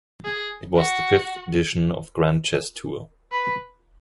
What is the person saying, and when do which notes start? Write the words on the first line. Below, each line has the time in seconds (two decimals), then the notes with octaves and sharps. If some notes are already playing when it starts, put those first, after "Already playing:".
It was the fifth edition of Grand Chess Tour.
0.25 G#4
0.76 F#4
3.32 B4